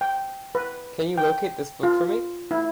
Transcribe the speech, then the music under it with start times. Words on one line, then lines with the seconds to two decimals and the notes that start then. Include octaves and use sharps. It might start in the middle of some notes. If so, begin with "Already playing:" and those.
Can you locate this book for me?
0.01 G5
0.55 B4
1.17 G5
1.83 F4
2.51 E4